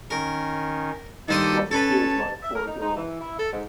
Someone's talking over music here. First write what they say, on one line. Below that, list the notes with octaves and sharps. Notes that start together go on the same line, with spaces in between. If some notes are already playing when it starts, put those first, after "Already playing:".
What it feels like for a girl.
D#3 C#4 D#4 A#4
D#3 G3 A#3 D4 G4 A4 C5 D#6
C#4 A4 B4 C#5 A5
E5
A#4
D#4
D#4
E3
E4
A4
G#2